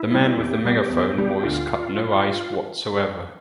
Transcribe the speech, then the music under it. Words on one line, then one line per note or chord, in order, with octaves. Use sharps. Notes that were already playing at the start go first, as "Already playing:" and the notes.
The man with the megaphone voice cut no ice whatsoever.
Already playing: E4
B2 G3
E2 G4
B2 G3
E2
B2 G3
D2 F4